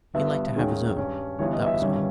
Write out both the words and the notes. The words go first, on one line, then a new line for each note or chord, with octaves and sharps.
He liked to have his own,--that was all.
G1 G2 G3 B3 E5
D#2 D#3 G#3 C#4
G2 G3 C#4
G1 G2 E3 G3 B3 C#5
D#5
E5
G1 G2 D#3 G3 C#4